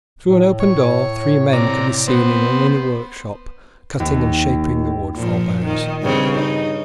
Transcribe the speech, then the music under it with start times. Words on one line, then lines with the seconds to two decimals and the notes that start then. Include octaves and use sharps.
Through an open door three men could be seen in an inner workshop cutting and shaping the wood for bows.
0.25 A2
0.60 C#5
1.53 C3 D5 A#5
2.08 B3 C5
4.00 D#2
5.16 A#2 F3
5.65 D#3
6.02 G2 C#3 C4
6.35 D#4